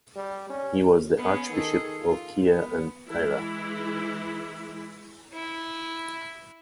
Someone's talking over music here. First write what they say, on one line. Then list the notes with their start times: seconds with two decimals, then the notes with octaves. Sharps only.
He was the Archbishop of Kea and Thira.
0.16 G3
0.50 C#4
1.17 B3 C#4 G#4
1.52 D#3 G#4 A4
2.01 F4
2.47 B3
3.08 E3 G#3 E4
5.33 E4